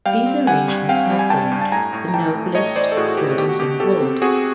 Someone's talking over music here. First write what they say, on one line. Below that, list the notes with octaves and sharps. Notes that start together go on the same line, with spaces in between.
These arrangements have formed the noblest buildings in the world.
G3 F5 G5
C4
G3 F#5 G#5
G2
C4 F5 G5
G3
G#5
G2 G5 A5
G2
A5
A2 G#5 A#5
A2
A#5
E3 G5 A5
A3
A2 C#5 D#5
E3 C5 D5
A4
A2 F#4 G#4
F#4
A3 G4
B2 G4
F#4
B2 G4
B2 G4 A4
C4
C4 F#4 G#4